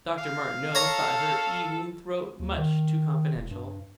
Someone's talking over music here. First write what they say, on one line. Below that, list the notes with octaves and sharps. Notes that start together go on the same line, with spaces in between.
Dr. Martineau thought her evening throat much too confidential.
F5
A4 C#5 A#5
D#2
D#3
E1
G2